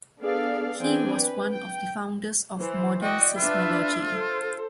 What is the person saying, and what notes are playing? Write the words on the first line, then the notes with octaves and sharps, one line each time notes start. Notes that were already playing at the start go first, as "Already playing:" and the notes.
He was one of the founders of modern Seismology.
B3 D4 G#4 A4 D5 F5
E3 C4 D4 G#4 G5 G#5
B4
G5
E3 C5
F#4 D5 D#5 G5
D4 F4 B4 E5
A4 C5